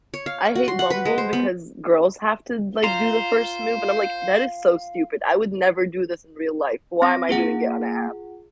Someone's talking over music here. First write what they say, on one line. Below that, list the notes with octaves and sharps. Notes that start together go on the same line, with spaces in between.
I hate Bumble because girls have to, like, do the first move, and, I'm like, "That is so stupid. I would never do this in real life. Why am I doing it on a app?"
C#5
F5
F#4
C6
F#5
B4
G#3
C5
B3
F4 C5 F5 A#5 C6
C4 A#6
A#3 F4 G#4 F#5